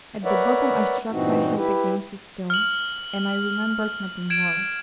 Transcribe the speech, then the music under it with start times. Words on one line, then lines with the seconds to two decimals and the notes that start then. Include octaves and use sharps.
At the bottom I struck my head against a stone, and I remembered nothing more.
0.25 A#4 B4 C#5 D5 E5 F#5
1.12 G2 A#2 E3 C4 D#4 F#4
1.56 E4 G4 B4
2.50 F6 F#7
4.30 G#6 D7 E7